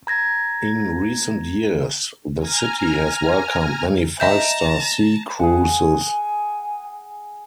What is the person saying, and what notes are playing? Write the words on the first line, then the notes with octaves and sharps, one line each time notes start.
In recent years, the city has welcomed many five-star sea cruises.
A#5 G#6 A#6
G#5 A#5 F6
D#5 E5 A5 A#5 G6
G#4 F#5 G#5